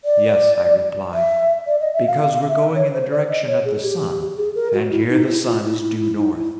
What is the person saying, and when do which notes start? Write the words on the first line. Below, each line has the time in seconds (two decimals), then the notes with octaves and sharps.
"Yes," I replied, "because we're going in the direction of the sun, and here the sun is due north."
0.05 D5
1.13 E5
1.67 D5
1.80 D#5
1.94 E5
2.07 F5
2.21 F5
2.48 E5
2.75 C#5
2.93 C5
3.11 D5
3.29 D#5
3.47 C#5
3.65 G#4
3.83 G4
4.37 G#4
4.55 A#4
4.73 F#4
4.91 E4
5.09 D#4
5.27 E4
5.45 F4
5.63 E4
5.81 E4
5.99 E4
6.18 D#4
6.35 E4